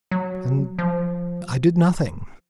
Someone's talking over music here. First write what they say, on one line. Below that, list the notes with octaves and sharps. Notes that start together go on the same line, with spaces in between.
And I did nothing.
F#3
F3